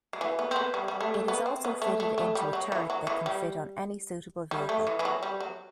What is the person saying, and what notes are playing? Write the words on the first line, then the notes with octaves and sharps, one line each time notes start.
It is also fitted into a turret that can fit on any suitable vehicle.
F#3
E3
B3
C4
B3
G3
G3
A3
A3
B3
C4
B3
A3
A3
A3
G3
F#3
E3
F#3
E3
G3
G3
A3
E3
E3
F#3
G3
F#3